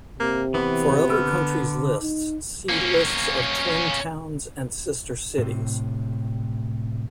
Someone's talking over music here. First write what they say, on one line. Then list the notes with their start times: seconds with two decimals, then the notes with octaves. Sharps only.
For other countries' lists see lists of twin towns and sister cities.
0.20 C3 A#3
0.54 E3 B3 B5
1.09 D3 E6 F6
2.01 D#4
2.69 A#3 C#4
5.38 A2 C3